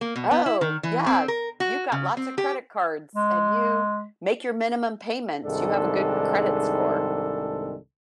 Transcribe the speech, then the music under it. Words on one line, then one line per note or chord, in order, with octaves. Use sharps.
"Oh, yeah. You've got lots of credit cards, and you make your minimum payments. You have a good credit score."
A#3
B2
B3
E4
D#3
E3
C4
A#4
F#4
C#3
C4
G4
G#3
C2 G#2 D#3 G#3 D4 A4